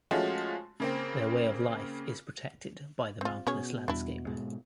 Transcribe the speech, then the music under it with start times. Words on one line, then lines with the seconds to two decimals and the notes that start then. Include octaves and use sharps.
Their way of life is protected by the mountainous landscape.
0.11 F3 G#3 A3 C#4 F4 F#4
0.80 C#3 A#3 C4
3.21 C4 F4
3.47 B2 C#4 G#4 C#5
3.88 E2 G3 D4 E4
4.27 G#2 B2 G#3